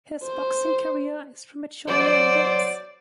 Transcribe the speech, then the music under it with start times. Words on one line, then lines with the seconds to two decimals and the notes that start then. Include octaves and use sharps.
His boxing career is prematurely ended.
0.24 C5
1.88 F#3 C5 D5